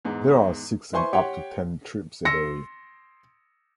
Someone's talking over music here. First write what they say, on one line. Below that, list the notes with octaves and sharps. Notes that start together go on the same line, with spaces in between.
There are six and up to ten trips a day.
E2 G#2
E4 B4 C5 G#5 C6 C#6
G4 C#5 F#5 G5 C6
C6 E6 A#6 C#7